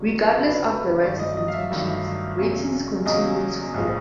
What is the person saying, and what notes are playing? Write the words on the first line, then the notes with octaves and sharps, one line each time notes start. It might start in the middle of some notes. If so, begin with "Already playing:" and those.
Regardless of the writers' intentions, ratings continued to fall.
Already playing: F#1 F2 D3 F#3
F#1 F2 D3 F#3 B4
B4
G1 G2 D#3 F#3 A3 D5
D#5
D#5
F5
E5
G1 G2 D#3 F#3 A3
E2 C#3 F#3 A#3
E2 C#3 F#3 A#3 D#5
B1 A2 F3 G#3